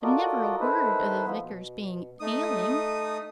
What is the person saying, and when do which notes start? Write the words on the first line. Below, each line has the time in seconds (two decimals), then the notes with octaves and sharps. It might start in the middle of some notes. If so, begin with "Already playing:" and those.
But never a word of the Vicar's being ailing!'
0.03 F4 F#4 A4 A#4 D5 D#5
0.61 D#3 D#4 E4 A4 B4 C5
1.26 F3 B3
1.41 B2
2.20 A3 D#4 D#6